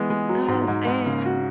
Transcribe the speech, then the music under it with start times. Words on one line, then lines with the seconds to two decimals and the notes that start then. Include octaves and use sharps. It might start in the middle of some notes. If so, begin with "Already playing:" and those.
Uh, same.
Already playing: E3 G#3 B3
0.10 G#3
0.29 F#3
0.48 G#2
0.68 G#2
0.87 G#2
1.06 C#3
1.26 F#4